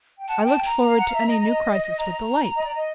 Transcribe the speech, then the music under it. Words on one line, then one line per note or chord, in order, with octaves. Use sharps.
I looked forward to any new crisis with delight.
G5
F#5 A5
G5
A5
G5
A#5
F5
F#5
F5
E5
D#5
A#5
D#5
D5
D#5